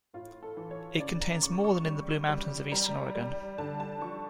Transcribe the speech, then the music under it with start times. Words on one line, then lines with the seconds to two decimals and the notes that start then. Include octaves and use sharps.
It contains more than in the Blue Mountains of eastern Oregon.
0.14 A2 F4
0.43 A4
0.57 E3
0.71 C#5
1.00 C#3 D5
1.21 A#5
1.43 C#3 C#6
1.64 C#6
1.86 G3
2.29 G3
2.72 G3 A#5
3.15 G3
3.58 D3 A5
3.80 A5
4.01 F3 C#6